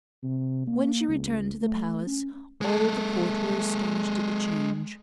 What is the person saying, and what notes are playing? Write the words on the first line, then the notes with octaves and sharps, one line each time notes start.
When she returned to the palace, all the court were astonished at the change.
C3
A#3
C#2
A3
C#4
G#3 A4